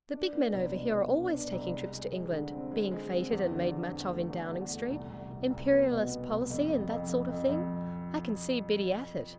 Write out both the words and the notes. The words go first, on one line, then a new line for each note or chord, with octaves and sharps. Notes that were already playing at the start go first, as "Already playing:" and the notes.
The big men over here are always taking trips to England, being feted and made much of in Downing Street--Imperialist Policy and that sort of thing--I can see Biddy at it.'
D4
B3
C2
B2
B3
D4
D4
C2
G#3
G#3
G#3
D3
C4
G#3
G#3
C4
E2
D3
E2
E2
A3
E2
E2
A3
C2
C2
C2
C2
B3
B2
B3
C2
F2
F2
F2
F2
F2
F2